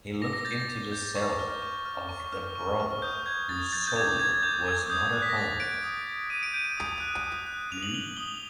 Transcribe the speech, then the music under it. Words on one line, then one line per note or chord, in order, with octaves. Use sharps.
He looked into the cell of the brother whose soul was not at home.
D6 A#6
A#6
G6 A6
A#6
D6
G6
C#6
F6
C#6
F6
C#6
F6
C#6
F6
D#6 G6
G6 G#6
D#6 A6
G6 A6
G6
D6 G#6
G6
G6 G#6
G#6
D6 G6
G6 G#6
D#6 G6
F#6
B6
A#6
D#6 A6
F#6 D7
D#6
G6
D#6 D#7
D7
G6 D#7
D#6
F#6
D#6
F#6
D#6 F7
F#7
F#6 G7
D#6 G7